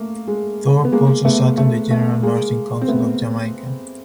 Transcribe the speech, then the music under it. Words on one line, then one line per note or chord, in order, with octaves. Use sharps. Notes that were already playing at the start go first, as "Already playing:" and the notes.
Thorpe also sat on the General Nursing Council of Jamaica.
Already playing: A3 A#3
G#3
B3
G#3 A#3
A3 B3
A3
A3
G#3 A#3
C4
A3 B3